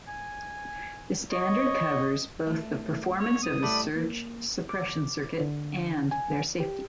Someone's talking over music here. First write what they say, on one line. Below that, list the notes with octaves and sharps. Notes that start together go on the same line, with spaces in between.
The standard covers both the performance of the surge suppression circuit and their safety.
G#5
C#5 D#5
A3
C#5
D#6
A2 G3 A4 D5 B5
A#3
D6
D3
G#5
G4